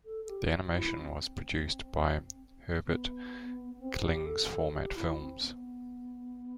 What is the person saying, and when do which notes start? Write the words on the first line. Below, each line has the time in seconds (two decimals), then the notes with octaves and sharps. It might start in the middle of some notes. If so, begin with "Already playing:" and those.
The animation was produced by Herbert Klynn's Format Films.
0.05 A4
0.24 A4
0.29 G4
0.52 F#4
0.75 E4
0.99 C4
2.86 B3
3.79 C4
4.02 G4
4.26 A4
4.49 A4
4.72 G4
4.96 E4
5.19 C4
5.42 B3